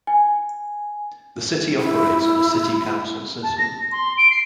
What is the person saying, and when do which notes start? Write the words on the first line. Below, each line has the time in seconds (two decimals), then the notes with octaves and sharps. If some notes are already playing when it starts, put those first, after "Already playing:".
The city operates on a City Council system.
0.07 G#5
1.80 E4
3.43 A5
3.58 A#6
3.92 C6
4.17 D7
4.31 C7